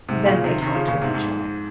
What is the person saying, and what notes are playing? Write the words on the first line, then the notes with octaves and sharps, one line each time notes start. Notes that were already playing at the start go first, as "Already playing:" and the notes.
"Then they talked with each other."
G#2 C3
A#2 C#3
C3 D#3
C3 D#3
C#3 F3
A#2 C#3
G#2 C3
F2 G#2